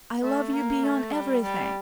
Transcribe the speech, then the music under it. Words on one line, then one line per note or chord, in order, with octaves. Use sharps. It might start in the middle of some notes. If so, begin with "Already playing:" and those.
I love you beyond everything....
A3
A#3
A3
G3
G3